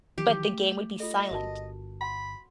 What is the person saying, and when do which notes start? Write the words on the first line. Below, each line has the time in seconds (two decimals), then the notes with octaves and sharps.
but the game would be silent,
0.18 D#3 E3 F#3 G4
0.47 A3
1.00 F4 A4 D#5
1.31 G1 F#4 A#4 A5
2.01 F#5 B5 C6